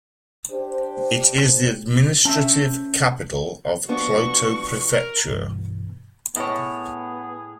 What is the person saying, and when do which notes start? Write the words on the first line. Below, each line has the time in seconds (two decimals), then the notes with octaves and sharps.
It is the administrative capital of Kloto Prefecture.
0.50 D4 G4 C5
2.25 A3 C4 C#4 E5
3.89 F3 B3 D4 F#4 C#6
4.91 A#4
5.27 C2 G2 B2 E3
6.36 A2 B3 G#4 C#5